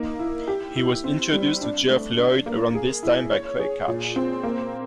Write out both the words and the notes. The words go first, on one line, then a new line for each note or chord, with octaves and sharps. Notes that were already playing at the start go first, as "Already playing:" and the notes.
He was introduced to Geoff Lloyd around this time by Craig Cash.
Already playing: A#3 D#4
E4
G4
E4
C4
G3
D4
A3
D4
A#3
G#4
E4
C#5
G#4
A#2
C4
A#3